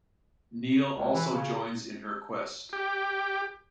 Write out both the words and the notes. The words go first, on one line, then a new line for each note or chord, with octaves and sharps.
Neel also joins in her quest.
C#2
E3
C#3
G4